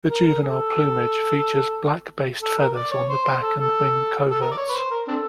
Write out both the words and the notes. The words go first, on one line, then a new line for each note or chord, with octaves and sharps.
The juvenile plumage features black-based feathers on the back and wing coverts.
A#4
A#4
A4
A4
A#4
D5
C#5
C5
C5
A4
A4
A4
A#4
D5
C#5
B4
C5
A#4
C4 D4 A4